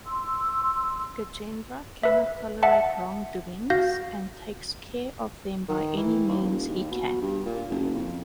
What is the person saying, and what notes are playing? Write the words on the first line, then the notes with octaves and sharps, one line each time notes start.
Gajendra cannot tolerate wrongdoings and takes care of them by any means he can.
C6 E6
B4 E5
E5 F#5 A5
F#4 F5 G6 A#6
D#3
E3
D#2
E1
D#2
B2
G2
A#2
F#1
F2